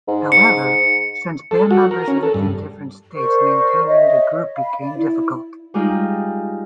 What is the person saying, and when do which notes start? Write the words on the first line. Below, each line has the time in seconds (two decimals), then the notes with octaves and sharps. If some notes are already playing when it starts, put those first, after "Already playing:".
However, since band members lived in different states maintaining the group became difficult.
0.08 G#2
0.32 C#7
1.51 A4
1.71 F#4
1.91 A#4
2.08 C#4
2.23 A4
2.34 G2
3.15 A#4 C5 D5 C#6
3.86 C#5 D#5 E5
4.55 F5 B5
4.80 D5
4.96 E4
5.74 G3 G#3 D#4 F4